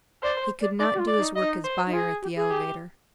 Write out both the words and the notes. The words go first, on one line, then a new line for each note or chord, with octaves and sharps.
He could not do his work as buyer at the elevator.
C5 D5
C5
D5
D#4 D5
G4
F4
D5
D#4
D#5
D#4
C5
D#4
F4 G#4
G4
G#4
G4